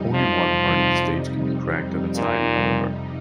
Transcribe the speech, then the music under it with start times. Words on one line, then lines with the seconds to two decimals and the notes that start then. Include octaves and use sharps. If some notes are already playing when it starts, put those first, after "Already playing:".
Only one part of a stage can be cracked at a time, however.
Already playing: F2 C3 G3 D#4
0.14 F3
2.15 A#2